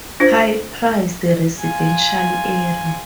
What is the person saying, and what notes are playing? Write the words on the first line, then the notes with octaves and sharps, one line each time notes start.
High-priced residential area.
D4 F4 C5
F4 G#5